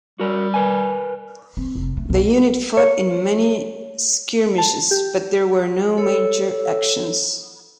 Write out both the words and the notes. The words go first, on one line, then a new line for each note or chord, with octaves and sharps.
The unit fought in many skirmishes but there were no major actions.
G3 F#4 A#4
A#4 B4 G#5
C4
F1
A3
B1
C#5
A5
G4
A4 C#5 E6